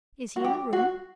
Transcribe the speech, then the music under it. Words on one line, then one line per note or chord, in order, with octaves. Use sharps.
Is he in the room?
F#4
G4
F#4